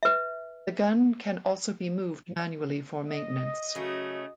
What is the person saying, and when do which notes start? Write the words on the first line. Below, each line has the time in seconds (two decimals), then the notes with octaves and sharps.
The gun can also be moved manually for maintenance.
0.03 B4 E5
3.09 D#5
3.76 C#3 F#3 A3